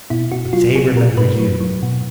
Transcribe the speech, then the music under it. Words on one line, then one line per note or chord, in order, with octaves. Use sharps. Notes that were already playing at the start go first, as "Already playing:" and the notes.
But they remember you!
B2 E4
B2 F#4
F#3 F4
F#3 G#4
B2 A#4
B2 B4
F#3
F#3
B2